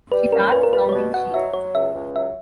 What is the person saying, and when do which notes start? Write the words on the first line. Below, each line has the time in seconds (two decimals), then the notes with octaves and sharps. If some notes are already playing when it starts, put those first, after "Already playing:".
She starts counting sheep.
0.12 G3 B4
0.32 C#4 A#4
0.52 A#2 B4
0.63 A#4
0.73 G3 B4
0.89 C#5
0.92 B2 D5
1.14 B2 F#5
1.33 F#3 E5
1.53 F#3 C#5
1.75 C#2 E5
1.95 C#2
2.15 F#3 E5